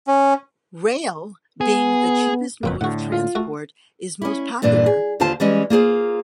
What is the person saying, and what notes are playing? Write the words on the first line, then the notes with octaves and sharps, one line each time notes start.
Rail, being the cheapest mode of transport, is most popular.
C#4
B3 G#4
F#1 F2 A#2 A#3 C4 B4
A2 D3 F#4 F#5
F4
A3 F#4
C#4 E4
G2 A#2 E3 D4
G#4
D#2 D3 F4 C5 F5 A5
E3 G3 G#3 C#4 D#5
A#3 F4 G#4 C5